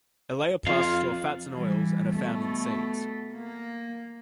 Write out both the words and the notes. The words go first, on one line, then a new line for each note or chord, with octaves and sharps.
Elaioplasts store fats and oils and are found in seeds.
F2 F4 F5
E3 G3
B2 A3
A#3